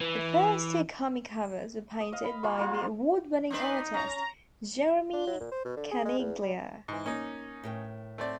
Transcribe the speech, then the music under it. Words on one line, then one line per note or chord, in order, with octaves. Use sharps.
The first two comic covers were painted by the award-winning artist Jeremy Caniglia.
E3
D#6
D#5 F5
B5
A#3 F4 C#6
G3 G#3 A#3 F4
C6
C4 D4 D#4 B4
C#4 A#5
D4
F#3
A#2
C5
B2
D3
G#4
G#3
E2
G3
G#2 E3
A#3 C#4 D#4
A2 A#4 G5
A3 C4 D5